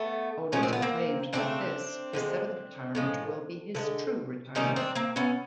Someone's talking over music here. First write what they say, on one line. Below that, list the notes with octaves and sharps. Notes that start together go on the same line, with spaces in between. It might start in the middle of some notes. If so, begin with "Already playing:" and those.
Onita claimed that this, his seventh retirement, will be his "true" retirement.
Already playing: A3 B3
A#2 F3 G#3 C#4
C4
B3
A#3 C4
C#3 F3 A3 C4 D4
D3 F3 G#3
A2 F3 G#3
D3 F3 G#3
C3 D#3 G3 C#4 D#4
C4 D4
A#3 C4
B3 C#4